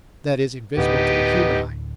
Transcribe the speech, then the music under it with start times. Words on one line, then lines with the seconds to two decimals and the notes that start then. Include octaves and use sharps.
That is, invisible to the human eye.
0.77 D2 A2 D3 B3 D#4 G4